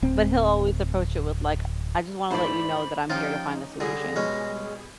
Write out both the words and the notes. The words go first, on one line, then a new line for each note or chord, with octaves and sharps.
but he'll always approach it with like, "I just wanna let you know that I'm here to find a solution."
D1 C4
G#2 E3 A3 C5 D5 B5
F3 C#4 D#4 F4 G4 G5
D3 G3 G#4 A#6
B2 G#3 C#4